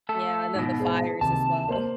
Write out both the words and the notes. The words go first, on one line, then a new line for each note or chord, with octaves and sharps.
Yeah, and then the fires as well.
A3 A4
G#2 B2 D#3
G#4 C5 A5
D#2 C3 A5
A#3 C5 F#7